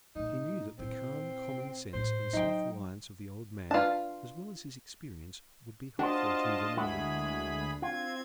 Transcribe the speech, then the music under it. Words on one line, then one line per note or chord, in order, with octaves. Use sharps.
He knew that the calm common sense and self-reliance of the old man, as well as his experience, would be helpful to them all.
A#2 A3 D#4
A#2 C4 E4
A2 C4 C5
F#3 D#4 G5
D4 F4 B4 A5
D4 F4 F#4 C5 D#5 A5
D2 G#3 E4 F#4 G#4 B5
C4 F4 G#6